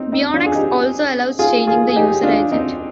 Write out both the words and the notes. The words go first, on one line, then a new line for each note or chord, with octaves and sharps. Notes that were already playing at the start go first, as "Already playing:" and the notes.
Beonex also allows changing the user agent.
Already playing: C4 D#4
C4 D#4
D4 F4
G#4
D#4 G4
F4 G#4
F4 G#4
G#4
D#4 G4
D4 F4
C4 D#4